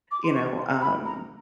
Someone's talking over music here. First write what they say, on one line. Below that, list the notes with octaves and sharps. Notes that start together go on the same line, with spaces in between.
you know, um
D6
C6
C#6
C6
B5
A#5